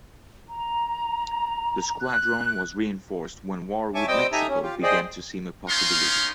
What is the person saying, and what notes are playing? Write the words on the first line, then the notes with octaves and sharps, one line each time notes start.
The squadron was reinforced when war with Mexico began to seem a possibility.
A#5
F#6
C#5 E5 G#5 A5 C#6 D6
G3 C4 D#5 G5 D6 E6
D#4 G4 A4 E5 G#5 A#5
C#4
F4 G4
G#4 C5 D5 D#5 G5
B3 C#4 D#4 A#4 F5 C6